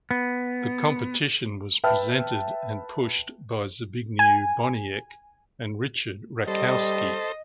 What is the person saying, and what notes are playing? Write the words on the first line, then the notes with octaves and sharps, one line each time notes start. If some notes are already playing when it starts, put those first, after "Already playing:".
The competition was presented and pushed by Zbigniew Boniek and Richard Raczkowski.
B3
B4 E5 G5 A5 F6
G#5
G3 A4 C5 D#5